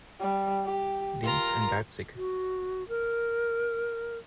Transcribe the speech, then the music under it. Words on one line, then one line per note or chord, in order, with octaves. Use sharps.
Linz and Leipzig.
G3
G4
F4 A#4 A#5
F#4
A#4